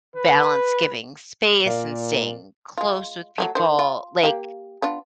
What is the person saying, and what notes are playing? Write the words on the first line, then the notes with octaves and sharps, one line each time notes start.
balance giving space and staying close with people? Like
B4
A#2 A#4 D5 F5
G#3 F4
F#3 G#3 A3
D#3 C5
F4
A#3 G4 F5
B3 D4 F4